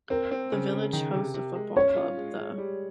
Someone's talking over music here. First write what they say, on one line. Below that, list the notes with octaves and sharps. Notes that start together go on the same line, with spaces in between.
The village hosts a football club, the.
C4 A#4
C4
C#3
C#3
D#3
C3
C3
G#3
C#4 C#5
F4
G#3
G#3
G3